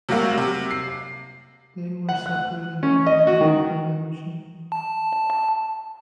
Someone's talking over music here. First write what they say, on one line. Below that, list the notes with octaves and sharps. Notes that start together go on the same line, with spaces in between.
They were separated during the French Revolution.
C3 F#3 G3 A#3 F#4
C3
C7
F#5
F#6
C#4
D#5
F#4
D#3
A5